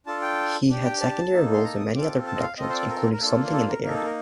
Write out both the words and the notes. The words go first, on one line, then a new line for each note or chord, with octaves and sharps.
He had secondary roles in many other productions, including "Something in the Air".
D4 F4 A4 A5
G5
D4 G4
G5
A5
A#3 D#4 A4
C6
A#5
D#6
C4 F4 A4 D6
A5
D#5
F5
C4 F4 A4 D#5
C5
D5
A#4
A#4
A#3 D4 F4 A4
A4
A#4
A#3 D#4 A4 A#4
A4
A#4